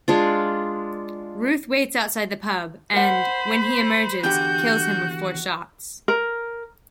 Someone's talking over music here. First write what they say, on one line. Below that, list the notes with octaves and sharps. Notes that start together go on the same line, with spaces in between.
Ruth waits outside the pub and, when he emerges, kills him with four shots.
G#3 D4 F4
A#4 C5 F#5 B5
E2 D3 F#4 G4 G6
A#4